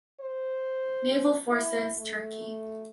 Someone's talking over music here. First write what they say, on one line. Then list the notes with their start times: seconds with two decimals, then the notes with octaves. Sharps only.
Naval Forces, Turkey.
0.20 C5
1.52 E4
1.98 A3